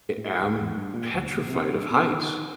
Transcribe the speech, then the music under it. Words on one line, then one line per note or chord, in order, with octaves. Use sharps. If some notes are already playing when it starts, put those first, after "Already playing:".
I am petrified of heights.
A2
D1
E2
G2
A#2
D2
A#1
C3
G2
B2
D#3